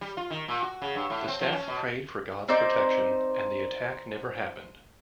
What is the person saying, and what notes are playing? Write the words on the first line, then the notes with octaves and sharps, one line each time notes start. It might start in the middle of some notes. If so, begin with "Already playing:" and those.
The staff prayed for God's protection, and the attack never happened.
G3
F4
D#3
A#2
F#4
C#3
G2
A2
C4
F3
C#4
B2
C4 D#4 C5 D5